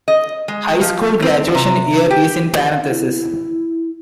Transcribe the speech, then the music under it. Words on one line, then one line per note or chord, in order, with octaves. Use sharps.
High school graduation year is in parentheses.
D#5
G#3
F3
C4
C3
G4
E4